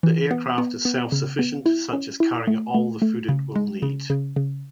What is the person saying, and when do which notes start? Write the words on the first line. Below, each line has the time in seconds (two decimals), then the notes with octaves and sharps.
The aircraft is self-sufficient, such as carrying all the food it will need.
0.03 E3
0.31 B3
0.58 B3
0.85 B3
1.12 C#3
1.39 B3
1.66 E4
1.93 C#4
2.20 E4
2.47 A3
2.74 A3
3.02 A3
3.29 C#3
3.56 G#3
3.82 C#3
4.10 C#3
4.36 C#3